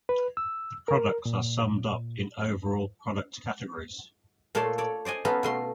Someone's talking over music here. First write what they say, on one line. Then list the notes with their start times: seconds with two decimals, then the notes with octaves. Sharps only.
The products are summed up in overall product categories.
0.09 B4
0.37 E6
0.88 A#4
1.26 A#2
4.55 A#2 A3 A4 C#5 A5 C6
4.78 A4 C#5 D5
5.05 C5 D5 D#5 G#5
5.25 B3 C#4 D#4 F4 A4 B4
5.43 B2 A3 C6